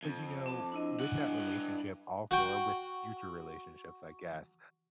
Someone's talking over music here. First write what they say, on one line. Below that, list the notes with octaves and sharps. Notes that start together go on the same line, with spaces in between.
but you know, with that relationship also, or with future relationships I guess,
F2
C4 A5 D6
D4 E4 D#5
G2 F#5
F#4 G5